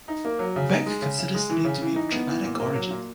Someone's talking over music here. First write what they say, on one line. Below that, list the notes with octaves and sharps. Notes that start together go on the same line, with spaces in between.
Beck considers the name to be of Germanic origin.
D#4
A#3
F#3
C#3
D#4
G#3
C#3
C#3
G#3
E3
C#3
E3
D#4
B3
E3
A#2
A#3
F#3
A#2